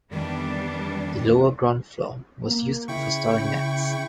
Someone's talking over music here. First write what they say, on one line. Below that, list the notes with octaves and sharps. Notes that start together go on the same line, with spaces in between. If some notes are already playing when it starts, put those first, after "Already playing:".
The lower ground floor was used for storing nets.
F2 D#3 E3 G3 B3 D4
A#3
C#3 E4 G5 C#6